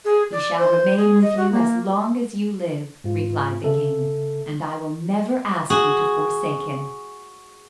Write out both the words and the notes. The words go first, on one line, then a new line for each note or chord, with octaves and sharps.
"He shall remain with you as long as you live," replied the king, "and I will never ask you to forsake him."
G#4
D5
C5
G#4
D#5
F#4
A#3
G#2 F4
C#3 A4 E5
F#4 G#4